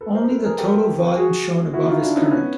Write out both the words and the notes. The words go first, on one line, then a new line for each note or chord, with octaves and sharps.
Only the total volume shown above is current.
A4 B4
A#4 C5
A4 B4
G#4 A#4
G4 A4
F#4 G#4
E4 F#4
D#4 F4
D4 E4
C#4 D#4
B3 C#4